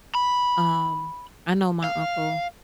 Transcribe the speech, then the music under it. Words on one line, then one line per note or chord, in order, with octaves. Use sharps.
um, I know my uncle
B5
F5